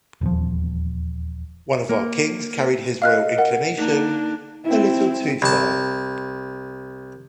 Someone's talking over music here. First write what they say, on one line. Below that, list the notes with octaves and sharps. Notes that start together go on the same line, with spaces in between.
One of our kings carried his royal inclination a little too far.
D#1 E2 F3
A#3
D#5 F5 F6 F#6
A#4 F#5
A#3 D4 D#4
C4 E4
C2 A5